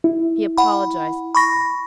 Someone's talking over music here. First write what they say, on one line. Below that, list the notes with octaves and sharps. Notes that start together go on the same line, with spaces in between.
He apologized.
E4
F#5 B5
B5 C#6 A#6